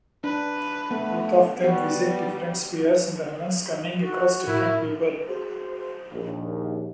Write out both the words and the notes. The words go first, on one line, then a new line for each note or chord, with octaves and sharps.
Both of them visit different spheres in the heavens coming across different people.
D4 B4
A3 B3
G3 B3 F#4
F#4
A2 E4 A#4
F#4 G#4 C5
A#1 D#2